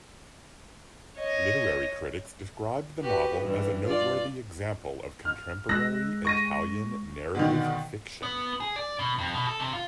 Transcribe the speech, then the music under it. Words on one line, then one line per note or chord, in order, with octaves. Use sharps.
Literary critics described the novel as a noteworthy example of contemporary Italian narrative fiction.
C#5 D#5
F#4 G4 B4
G2 E3
F4 D5
F6
G#3 E6 F#6 A#6
C#6 A#6 D#7
B2 D3 D#3
B3
G#4
D5
B2
F2
B2
A4
C3
F4